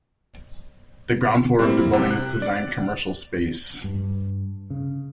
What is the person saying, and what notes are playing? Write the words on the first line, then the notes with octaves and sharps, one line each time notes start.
The ground floor of the building is designed commercial space.
G3 A#3 C4 E4
C3
F#6
D5
G2
C#3